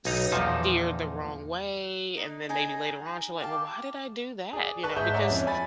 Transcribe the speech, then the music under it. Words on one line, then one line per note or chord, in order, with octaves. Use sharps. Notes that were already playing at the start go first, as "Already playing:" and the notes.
s steered the wrong way, and then maybe later on she's like, "Well, why did I do that?" You know, because,
B1 D#4 A#5
E2 A#2 F3 D#4 A5
D#4
D#4 G#4 G#5 A#5
G4 F5 A5
G#4 D5
B4 A5 C#6 F#6
G#2 G#4 E5 C#6 G6
C#5 D5 E5 F#5 A#5
F2 C#4
G#5 B5 A6